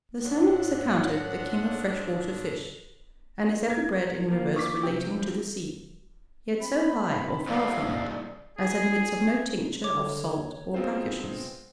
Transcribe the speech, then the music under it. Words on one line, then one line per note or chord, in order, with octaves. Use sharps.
The Salmon is accounted the King of freshwater fish; and is ever bred in rivers relating to the sea, yet so high, or far from it, as admits of no tincture of salt, or brackishness.
G#2 F3 C4 D4 C#5 F#5
A#4 G#6
F3 A#3
C#6 D6 B6
C3 G4
C4 B5
C2 G#2 D5 F5
G#4
D3 C#5 D6
G#3 B3 C4 F4 C5